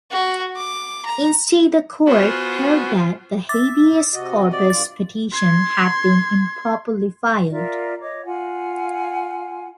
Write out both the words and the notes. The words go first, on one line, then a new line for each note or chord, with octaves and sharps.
Instead, the Court held that the "habeas corpus" petition had been improperly filed.
F#4
D6
A#5
B3 F4 F#4 C5 G#5
E5 D6 A6
C3 F#4 D#5
D5
G2 F4 A6
C6 G#6
F4 A#4 D5 E5
C#5 D#5 D6
F4 F#5 G#5